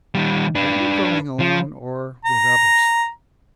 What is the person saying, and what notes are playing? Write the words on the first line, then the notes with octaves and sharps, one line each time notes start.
"Are you going alone or with others?"
D#3 G3
D4 B4
F3
A#5